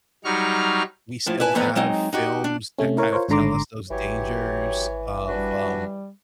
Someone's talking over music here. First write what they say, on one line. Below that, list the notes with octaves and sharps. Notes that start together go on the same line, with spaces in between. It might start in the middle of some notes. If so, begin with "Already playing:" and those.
we still have films that kind of tell us those dangers of, um,
F#3 G3 D#4 C#6 F6
A2 F3 E4 F4
E4 B4 G#5 A5
F2 E3 B3 D4 A#5
F#3 G#3 C4 D#4
D#4 F#4 G4
D4
C3 A3 C#4
E4 A#4 C#5
F4 A#4 C5 C#5
G#1 G#2 D3 A#5 C6 D6
G#1 E3 F#3 G4 C#5
G3 D4 F#4 B4